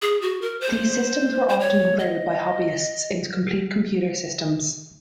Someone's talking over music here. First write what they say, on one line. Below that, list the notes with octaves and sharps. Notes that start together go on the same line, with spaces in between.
These systems were often converted by hobbyists into complete computer systems.
G#4
F#4
A#4
C5
C5
C#5
D#5